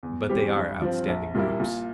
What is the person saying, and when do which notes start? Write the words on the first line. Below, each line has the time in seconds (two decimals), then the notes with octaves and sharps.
But they are outstanding groups.
0.03 E2
0.29 E3 G3 C4 G4
0.56 G2
0.82 F3 C4
1.08 A#1
1.34 A#2 G3 A#3 E4
1.60 A#2